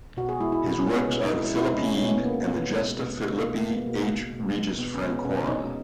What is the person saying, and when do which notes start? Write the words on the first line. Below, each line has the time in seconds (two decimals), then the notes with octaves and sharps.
His works are the "Philippide" and the "Gesta Philippi H. regis Francorum".
0.17 B2 F#4
0.29 G#4
0.40 G#3 E4
0.52 E4
0.64 B2
0.79 C#4
0.86 G#3
0.95 B3
1.10 B2 B3
1.25 D#4
1.32 G#3
1.40 E4
1.56 B2 E4
1.67 D#4
1.78 G#3 C#4
1.90 C#4
2.02 B2 B3
2.14 B3
2.25 G#3 A#3
2.48 B2 B3
2.71 G#3
2.94 B2
3.18 G#3
3.40 B2 A#3
3.56 A#3
3.64 G#3
3.71 B3
3.86 B2 A#3
4.09 G#3
4.33 B2
4.56 G#3
4.79 B2 B3
4.94 C#4
5.02 G#3
5.10 B3
5.25 B2 C#4
5.48 G#3 D#4